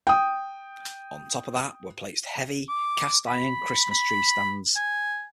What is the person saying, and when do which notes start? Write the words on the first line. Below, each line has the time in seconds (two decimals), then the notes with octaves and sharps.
On top of that were placed heavy cast iron Christmas tree stands.
0.07 G5 D#6
2.68 D6
3.27 B5
3.91 B5
4.76 G#5